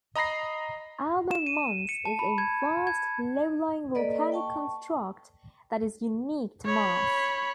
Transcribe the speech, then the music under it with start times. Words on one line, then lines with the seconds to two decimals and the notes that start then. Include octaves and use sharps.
Alba Mons is a vast, low-lying volcanic construct that is unique to Mars.
0.15 D#5 A#5 B5 A#6 C7
1.31 E7
1.47 D#7
1.89 C#7
2.05 A5
2.19 B5
2.38 G#6
2.87 G#6
3.95 A#3 A4 B4 D5 D#5
4.32 G5 A5 C#6
6.66 C#5 B5